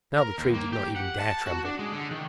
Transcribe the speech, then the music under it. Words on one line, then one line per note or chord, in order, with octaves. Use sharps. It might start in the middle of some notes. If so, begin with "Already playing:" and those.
Now the Tree did not even dare tremble.
A#4
D#2
A#3
G4
F#5
A5
F#4
D4
G#3
D3
D#3